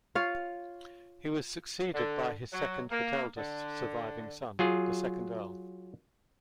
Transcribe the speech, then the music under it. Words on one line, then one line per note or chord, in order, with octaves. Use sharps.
He was succeeded by his second but eldest surviving son, the second Earl.
F4 C#5 F5
D3
F#3
A#3
D3
F#3 F4 G#4